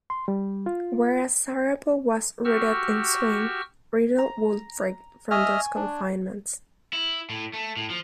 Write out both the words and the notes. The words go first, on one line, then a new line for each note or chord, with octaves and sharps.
Whereas Siravo was rooted in swing, Riddle would break from those confinements.
C6
G3
F4
F#4 G4 C#6 E6 F6
A#5
D#5 E5 G#5 C#6 F6
D4
E4
A2
A3
A2
F3